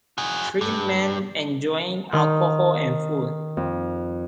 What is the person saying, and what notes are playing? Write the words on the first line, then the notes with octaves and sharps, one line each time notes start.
Three men enjoying alcohol and food.
F#4 G#4
G2
D#3
F2